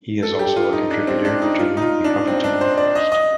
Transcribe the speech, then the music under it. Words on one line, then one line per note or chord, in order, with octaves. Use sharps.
He is also a contributor to "The Huffington Post".
A4
G4
F4
D#4
D4
C4
D4
D#4
F4
D#4
F4
D4
C4
D4
C5
D5
D#5
D#5